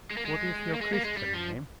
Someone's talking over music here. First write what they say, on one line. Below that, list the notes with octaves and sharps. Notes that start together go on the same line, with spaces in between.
"What is your Christian name?"
G#3
A#3
G#3
A#3
G#3
A#3
G#3
G3
F3